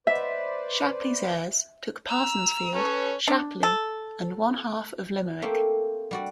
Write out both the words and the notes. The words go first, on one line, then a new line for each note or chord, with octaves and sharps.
Shapleigh's heirs took Parsonsfield, Shapleigh and one half of Limerick.
B4 C5 D5 E5
A#5 E6
C#4 A4 B4 C#5
D4
A4
A3 A#3 C4 G4
G3 F#4 D5